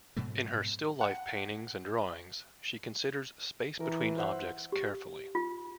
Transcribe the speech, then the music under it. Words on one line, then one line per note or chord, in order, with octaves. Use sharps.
In her still life paintings and drawings, she considers space between objects carefully.
G#2 B2 F#3 A3
F#5
E3 A#4
C5 E5 F#5
G4
F4